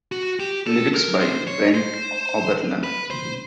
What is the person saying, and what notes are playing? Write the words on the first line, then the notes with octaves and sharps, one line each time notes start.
Lyrics by Brent Oberlin.
F#4
G4
A4
A#4
C5
C#5
C5
B4
C5